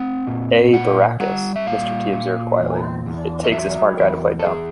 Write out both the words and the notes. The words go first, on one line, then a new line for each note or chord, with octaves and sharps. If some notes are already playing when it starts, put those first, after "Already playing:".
A. Baracus, Mr. T observed quietly, It takes a smart guy to play dumb.
Already playing: C4 F#5
A#2
A#2 F#5
G3 F#5
E5
A#2 F5
A#2
E2
E2
D#5
F#3 E5
E2 A#4
A4
E2 G#4